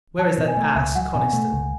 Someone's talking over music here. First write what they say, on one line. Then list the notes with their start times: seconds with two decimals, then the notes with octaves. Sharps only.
Where is that ass, Coniston?
0.18 F#3 A5
0.38 B2
0.48 G#5
0.57 A3
0.76 C#2 E5
0.95 F#3 F#5
1.14 B2 G#5
1.33 A3
1.53 C#2